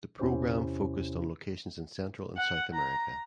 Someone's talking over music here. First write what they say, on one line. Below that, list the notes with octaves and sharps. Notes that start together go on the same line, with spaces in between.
The program focused on locations in Central and South America.
E2 C3 C#4 E4 G4 C5
F#5
A#5